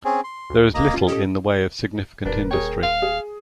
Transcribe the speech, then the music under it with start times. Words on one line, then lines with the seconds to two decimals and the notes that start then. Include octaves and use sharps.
There is little in the way of significant industry.
0.05 C4 C#4 G#4
0.24 C6
0.50 D2
0.74 A#3 D#5 A#5
0.93 C#4 F4
1.07 C#4 G4 A4 D#5
2.25 D#1 D4 A#4 B4
2.51 G#4 A#4 C#5 G5
2.83 F5
3.02 G#4